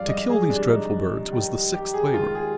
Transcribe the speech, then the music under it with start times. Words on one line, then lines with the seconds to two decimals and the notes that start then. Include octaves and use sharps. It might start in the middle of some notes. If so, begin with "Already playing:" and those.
To kill these dreadful birds was the sixth labor.
Already playing: G2 F3 G#3 D5 F5
0.08 D#5
0.29 G#4
0.50 C2 C3 F3 G#3 D4
0.70 D#4
1.32 D#2 D#3 G3
1.74 G4
1.94 G#4
2.14 D#2 D#3 G#3 F4
2.35 G#4